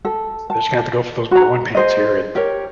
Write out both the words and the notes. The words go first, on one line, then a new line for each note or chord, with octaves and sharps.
I just gonna have to go through those growing pains here, and,
A4
A5
F#4 A#5
G#4 C5 D#5
G4 A#4 C#5